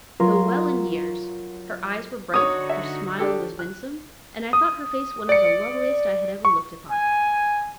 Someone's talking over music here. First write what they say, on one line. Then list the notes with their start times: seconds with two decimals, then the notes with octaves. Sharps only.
Though well in years, her eyes were bright; her smile was winsome, and I thought her face one of the loveliest I had ever looked upon.
0.20 F#3 F4 A#4 F5 C6
2.34 D3 D#4 F#4 C#5 D#6
2.69 E5
3.19 D4 G4 A4
3.59 F#6
4.53 D#6
5.29 D5 C#7
6.45 C#6
6.91 G#5